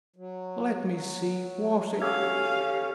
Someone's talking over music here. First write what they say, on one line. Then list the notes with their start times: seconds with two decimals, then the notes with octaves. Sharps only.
Let me see--was it?
0.16 F#3
2.02 C#4 G4 A4 C#5 F5